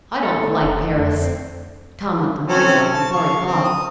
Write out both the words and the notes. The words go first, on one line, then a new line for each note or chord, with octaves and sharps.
"I don't like Paris." Tom let the words out before he thought.
A4
A3
F1
F2 A3
C4
C4 C#4 A4
A5
F5 C#6
C4
D#6